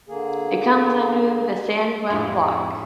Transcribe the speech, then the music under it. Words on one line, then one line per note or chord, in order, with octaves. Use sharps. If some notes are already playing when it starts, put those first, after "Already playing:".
It comes under the Sanguem block.
D3 A#3 G#4
F2 A2 D4 E4 F4 G4